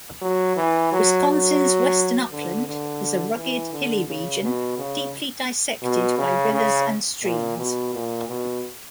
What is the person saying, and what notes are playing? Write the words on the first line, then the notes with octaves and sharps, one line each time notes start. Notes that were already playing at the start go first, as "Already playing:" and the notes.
Wisconsin's Western Upland is a rugged, hilly region deeply dissected by rivers and streams.
F#3
E3
F#3
F#3
D3
D3
E3
D3
C#3
B2
C#3
B2
C#3
C#3
A#2
B2
A#2
B2